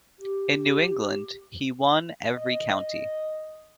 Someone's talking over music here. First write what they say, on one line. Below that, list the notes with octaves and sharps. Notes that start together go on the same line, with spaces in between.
In New England, he won every county.
G4
D#5